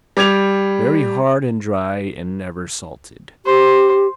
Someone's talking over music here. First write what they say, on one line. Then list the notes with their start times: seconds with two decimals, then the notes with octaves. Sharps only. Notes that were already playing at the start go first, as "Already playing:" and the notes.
Very hard and dry and never salted.
0.17 G3 D6 G#6 F7
3.46 G4 C5